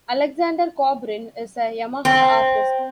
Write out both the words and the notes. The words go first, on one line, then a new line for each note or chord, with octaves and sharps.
Alexander Kobrin is a Yamaha Artist.
C4